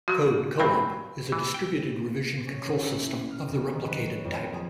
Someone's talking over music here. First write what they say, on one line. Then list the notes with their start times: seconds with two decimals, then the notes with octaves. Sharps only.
Code Co-op is a distributed revision control system of the replicated type.
0.08 F3 F#3 F#4
0.60 G2 F#3 C4 B5
1.32 E3
1.54 G5
2.47 C#4
2.65 G#1
2.83 E5
3.08 E4
3.31 F6
3.47 F2
3.73 D#3
3.88 B4
4.07 F#3
4.25 F2
4.53 G#4